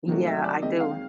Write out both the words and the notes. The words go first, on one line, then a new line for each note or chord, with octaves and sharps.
Yeah, I do.
C3 D#3 F#3 A3
E5
D5
D#3 G#3 C4 D#5
F5